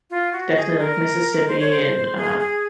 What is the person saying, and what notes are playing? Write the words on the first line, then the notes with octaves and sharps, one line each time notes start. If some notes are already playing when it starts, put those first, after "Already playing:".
definitely, like, Mississippi and, uh,
F4
F#4
G#4
A#4
C5
C#5
C5
G#4
G#4